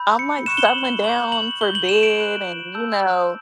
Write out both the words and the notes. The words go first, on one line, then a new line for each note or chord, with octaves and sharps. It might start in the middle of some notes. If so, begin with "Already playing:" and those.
I'm like, settling down for bed and, you know
Already playing: B5 E6 G6
C#7
C#6 F#6 E7
G7
F#7
G7
C#6 G6 F#7
F#7
C#6 G6 G7
F#7
E7
D7
B5 F#6
A5 E6 G6